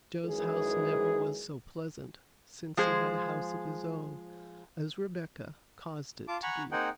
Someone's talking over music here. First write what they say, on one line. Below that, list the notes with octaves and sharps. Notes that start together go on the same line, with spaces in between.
Jos's house never was so pleasant since he had a house of his own as Rebecca caused it to be.
F#2 D#3 E3 G#3 G#4
F3 G#3 G#4 C5
F4 A5 D6
F#5 G#5 A#5 B5 C#6
A#3 C4 D#4 G#4 F#5 G5